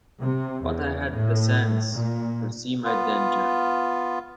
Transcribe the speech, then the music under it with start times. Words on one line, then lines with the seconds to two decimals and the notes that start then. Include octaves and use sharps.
But I had the sense to see my danger.
0.21 C3
0.64 E2
1.14 A2
1.93 A#2
2.85 B3 F4